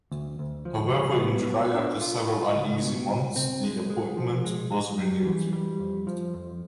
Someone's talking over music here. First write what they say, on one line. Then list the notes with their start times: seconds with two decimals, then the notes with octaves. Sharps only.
However, in July after several uneasy months the appointment was renewed.
0.12 D2
0.39 D2
0.65 F3
0.93 G3
1.19 B3
1.47 B2
1.74 D4
2.01 F4
2.28 F4
2.55 C#2
2.82 B2
3.09 C#2
3.36 C4
3.64 G#3
3.90 G#3
4.17 F3
4.44 G#3
4.72 G#3
4.99 G3
5.26 E3
5.53 G3
5.80 F2
6.07 F3
6.34 F2